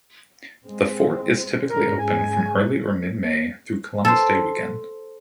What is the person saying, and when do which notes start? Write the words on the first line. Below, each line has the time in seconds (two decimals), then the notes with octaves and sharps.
The fort is typically open from early or mid May through Columbus Day weekend.
0.65 G#3 C4
1.68 G#2 C#3 G#3 A#4
1.98 G#5
4.05 A4 C5